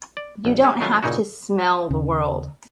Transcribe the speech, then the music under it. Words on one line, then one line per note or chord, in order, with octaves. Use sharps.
You don't have to smell the world!
D5
A#1
G#3 C#4
D#3 F#3 G3 A3 C#4 F4
G2 A#2 C#3 D#4 E4 F#4
D#2 C#3